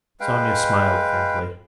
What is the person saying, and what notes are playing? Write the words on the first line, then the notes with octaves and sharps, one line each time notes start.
Sonia smiled faintly.
G#3 B4 F5 G5